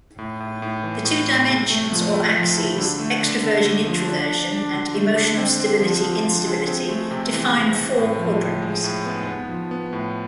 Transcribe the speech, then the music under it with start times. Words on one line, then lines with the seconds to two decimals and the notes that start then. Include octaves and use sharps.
The two dimensions or axes, extraversion-introversion and emotional stability-instability, define four quadrants.
0.18 A2
0.40 A2
0.62 A2
0.84 E3
1.05 A2
1.27 A2
1.48 C3
1.70 A3
1.92 F3
2.14 A3
2.36 F3
2.57 E4
2.78 D3
2.99 A3
3.21 D3
3.43 D3
3.65 D3
3.87 F3
4.08 D4
4.29 D4
4.52 D4
4.73 D3
4.95 A3
5.16 D3
5.38 C4
5.60 C4
5.81 F3
6.03 F3
6.25 F3
6.47 G#3
6.68 C4
6.89 A3
7.11 C3
7.33 E3
7.54 C3
7.76 C3
7.98 A2
8.19 F3
8.41 A2
8.62 G#3
8.84 A2
9.06 B3
9.27 B3
9.49 F3
9.71 B3
9.93 A2